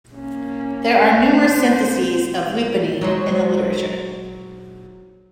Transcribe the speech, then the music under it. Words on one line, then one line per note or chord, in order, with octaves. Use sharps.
There are numerous syntheses of lupinine in the literature.
A#3 C#4
C4 C5
F#3 G#3 C4